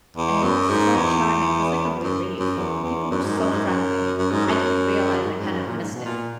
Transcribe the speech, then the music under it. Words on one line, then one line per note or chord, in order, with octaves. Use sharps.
and so charming, it was like a relief. People were so friendly. I didn't realize I kind of missed it.
E2
F#2
G#2
E2
F#2
F#2
E2
E2
F#2
G#2
F#2
G#2
F#2
F#2
G#2
F#2
G#2
F#2
G#2
F#2
A#2
G#2
B2
A#2